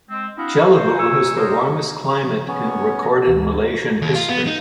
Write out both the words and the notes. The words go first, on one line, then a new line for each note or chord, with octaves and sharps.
Jelebu has the warmest climate in recorded Malaysian history.
G#3 C4
C4 D4 E4 F#4 D#5 F5
F#4 C5
G#4 G#5 C#6 E6
A#4 C5 C#5 A#5 D6 D#6
F3
B3 C#4 C#5
A4 C#6 A#6
D2 E3 A#4 E6
D#2
F4
B3
D#4